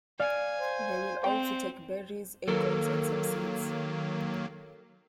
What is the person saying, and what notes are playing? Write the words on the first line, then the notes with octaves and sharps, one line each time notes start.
They will also take berries, acorns, and some seeds.
D5 F5 G#5
C5
C4 G5
D#3 F#3 A#3 A4 A#4